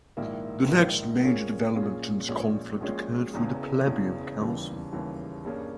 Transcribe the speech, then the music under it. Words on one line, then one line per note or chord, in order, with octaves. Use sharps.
The next major development in this conflict occurred through the Plebeian Council.
A#1 G#2 D#3 A#3 E4
A#1 G#2 D#3 A#3 E4
A#2 A#3 C#4 G#4
A#2 A#3 C#4 G#4
A#1 A#2 G#3 C#4 G#4
A#1 A#2 G#3 C#4 G#4
E1 E2 C#3 E3
E1 E2 C#3 E3
D#2 C#3 E3 G3
D#2 C#3 E3 G3
G2 G3 A#3 C#4 G#4